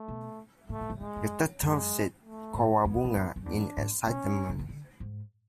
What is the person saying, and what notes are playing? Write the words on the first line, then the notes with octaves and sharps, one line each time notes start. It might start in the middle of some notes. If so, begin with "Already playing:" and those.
The turtles said "cowabunga" in excitement.
Already playing: A3
B2
A2 A3
A2
G#2
G#2 G#3
F#2
F#2 G#3
A3
G#2
F#2 B3
E2
G#2
F#2
F#2
E2 D4
G#2
B2 C#4
C#3
E3
D3
G#2